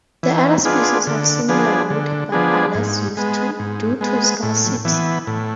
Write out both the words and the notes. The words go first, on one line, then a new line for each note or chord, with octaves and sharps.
The other species have similar wood, but are less-used due to scarcity.
E3
B3 D4 F4 G#4
D3
F3 B3 D4 G#4
D3
F3 B3 D4 G#4
G#2
G#3 B3
G#2
G#3 B3
A2
E3 B3
A2